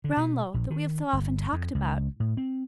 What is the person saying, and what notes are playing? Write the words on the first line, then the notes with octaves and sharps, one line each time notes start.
Brownlow, that we have so often talked about.'
D3
B2
A#1
D#3
G1
F2
C#2
A2
C4